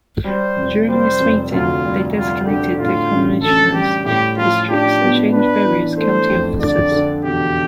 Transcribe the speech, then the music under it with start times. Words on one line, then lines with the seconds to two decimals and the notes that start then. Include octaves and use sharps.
During this meeting, they designated the commissioners districts and changed various county officers.
0.24 G3 C5
0.56 F1
0.88 G3 C5
1.19 F1
1.51 D2 F4
1.84 G3
2.15 G3 F4
2.47 D3 G4
2.78 A2 F4
3.10 A1
3.42 A1 A4
3.74 G3 G4
4.05 A2 G4
4.37 F3 F4
4.69 D4 G4
5.01 B3
5.32 D4 B4
5.64 E3
5.97 A3 C5
6.28 F2
6.59 D3 D5
6.92 D3
7.23 E1 G4